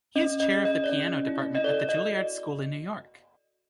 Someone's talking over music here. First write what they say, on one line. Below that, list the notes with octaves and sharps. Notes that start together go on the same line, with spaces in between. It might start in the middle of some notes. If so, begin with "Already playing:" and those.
He is chair of the piano department at the Juilliard School in New York.
C#4 D#5
D#5
G#4
D#5
D5
C#4 D#5
E4
D#5
A4 D5
D#5
F#4